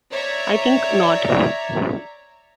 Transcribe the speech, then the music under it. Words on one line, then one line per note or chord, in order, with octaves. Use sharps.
I think not.
C#5 D5 E5 A#5